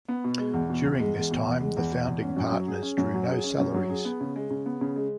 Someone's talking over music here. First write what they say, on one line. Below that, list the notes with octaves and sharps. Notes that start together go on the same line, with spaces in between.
During this time, the founding partners drew no salaries.
B3
B2
G#3
E2
B2
E2
G#3
E2
B2
E2
G#3
E2
B2
E2
C#4
F#2
F#3
G#4
C#4
F#2
F#3
G#4
C#4
F#2
F#3
G#4
B3
C#3
G#3
C#3
B3
C#3
G#3